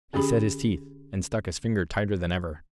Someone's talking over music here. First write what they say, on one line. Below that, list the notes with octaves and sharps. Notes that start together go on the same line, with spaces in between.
He set his teeth, and stuck his finger tighter than ever.
D3 C#4 G4 G#4 B5